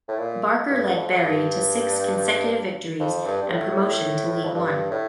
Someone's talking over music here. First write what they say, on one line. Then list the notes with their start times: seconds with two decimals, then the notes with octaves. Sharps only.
Barker led Bury to six consecutive victories and promotion to League One.
0.08 A2
0.19 A#2
0.70 G2
0.95 F2
1.21 G2
3.00 F2
3.25 G2
3.42 G2
3.51 A2
4.44 F2
4.54 G2
4.91 A2